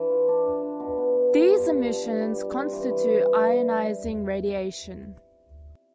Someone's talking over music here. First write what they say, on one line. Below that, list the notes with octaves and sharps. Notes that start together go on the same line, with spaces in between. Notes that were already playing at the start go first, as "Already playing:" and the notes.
These emissions constitute ionizing radiation.
Already playing: E3 D4
F4
D4
D4
D4
B2
B3
B2
G3
F4
G2
F3
G2
G3
G3
C4
E3
E3
E3